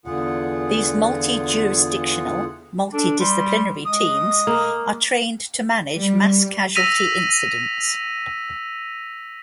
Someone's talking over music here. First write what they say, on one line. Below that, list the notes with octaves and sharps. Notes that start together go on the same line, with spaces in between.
These multi-jurisdictional, multi-disciplinary teams are trained to manage mass-casualty incidents.
E2 D3 F4 G#4 F#5
D4 A4
G3 C6
G#3 D#6
A#3
G3
E6 A#6 B6 D#7 F7